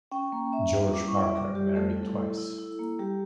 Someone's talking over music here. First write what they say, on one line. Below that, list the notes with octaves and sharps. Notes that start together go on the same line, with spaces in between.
George Parker married twice.
C#4 G5
A#3
C#4 E5
G3
E4 D6
C#6
E4 E5
D5
G3 D5
G3 G4
A3 A4
A4
E4
A4
E4
E4
E4
A#3
G3 G4